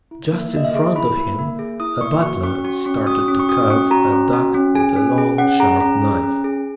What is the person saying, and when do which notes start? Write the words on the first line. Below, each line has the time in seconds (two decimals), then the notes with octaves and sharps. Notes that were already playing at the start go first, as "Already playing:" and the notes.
Just in front of him a butler started to carve a duck with a long, sharp knife.
0.11 E4
0.32 A#3
0.53 A#3 D#5
0.65 E5
0.75 G#4
0.96 E4 B5
1.17 A#3
1.39 A#3
1.59 G#4
1.80 E4 D#6
2.01 A#3 C#6
2.22 F#4 C#6
2.43 C#4 C#6
2.64 F#4 C#6
2.86 C#4 C#6
3.06 F#4 D#6
3.28 C#4
3.39 C#6
3.49 F#4 D#6
3.70 C#4 C#6
3.91 F#4 A#5
4.12 C#4
4.33 F#4
4.54 C#4
4.75 G#4 G#5
4.96 C#4
5.18 G#4
5.38 C#4 F#5
5.60 G#4 A#5
5.80 C#4 A#5
6.02 G#4
6.23 C#4
6.44 G#4